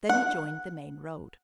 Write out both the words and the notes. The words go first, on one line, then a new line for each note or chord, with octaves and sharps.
Then he joined the main road.
F#5